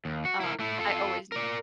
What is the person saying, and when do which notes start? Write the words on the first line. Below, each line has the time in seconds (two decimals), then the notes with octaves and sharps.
um, I always knew,
0.05 D#2
0.25 F#4
0.40 E4 A#4
0.60 A3 E4
0.78 F4 A4
1.32 A#4 D5